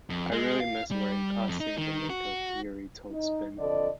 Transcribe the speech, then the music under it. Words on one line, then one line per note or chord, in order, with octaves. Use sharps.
"I really miss wearing costumes and makeup," Urie told "Spin".
F2
G#3
F5
G3
F2
D#4
D#3
F#4
D#4
F2 D3 A4 D5 D#5